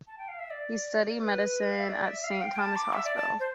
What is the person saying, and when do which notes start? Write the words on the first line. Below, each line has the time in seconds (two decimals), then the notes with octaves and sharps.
He studied medicine at Saint Thomas' Hospital.
0.08 A5
0.18 G5
0.28 F5
0.39 E5
0.50 D5
1.19 B4
1.70 F5
1.80 E5
1.89 D5
2.06 E5
2.24 F5
2.41 G5
2.53 G5
2.59 A5
2.76 D6
2.93 E5
3.05 D5
3.16 A5
3.40 C5